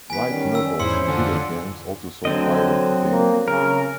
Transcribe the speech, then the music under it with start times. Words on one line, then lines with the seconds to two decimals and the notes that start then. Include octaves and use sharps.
Light novels and video games also saw the light of the day.
0.10 E3 B3 B4 G#5 B6
0.25 D#3 G3 C#4
0.55 E6
0.80 E2 G#2 C#4 E4 C5 C6 E6 C#7
1.08 F2 D3 A4 F#5 G#5
2.25 D3 F#3 C4 D#5
3.11 A#3
3.48 C#3 A#4